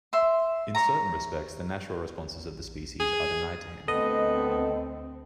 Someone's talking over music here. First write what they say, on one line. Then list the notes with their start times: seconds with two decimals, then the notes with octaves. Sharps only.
In certain respects the natural responses of the species are denied to him.
0.13 E5 C6
0.75 C#5 A#5
3.00 G#4
3.88 D2 B3 C4 A4 D#5